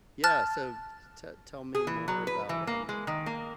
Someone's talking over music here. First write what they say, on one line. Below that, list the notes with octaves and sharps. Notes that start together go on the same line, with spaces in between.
Yeah, so t t tell me more about, um,
A5 F6 F#6 A6
G#4
E3
F#3
B4
E3
A#3
G#3
D#3
A#3